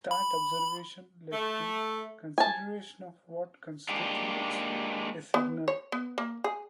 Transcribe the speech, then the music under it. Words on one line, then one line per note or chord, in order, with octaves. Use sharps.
That observation led to consideration of what constitutes a "signal".
B5
A3
G#5 A5
G#3 A#3 D4 G4 G#4
B3
C#5
B3
A#3
G#4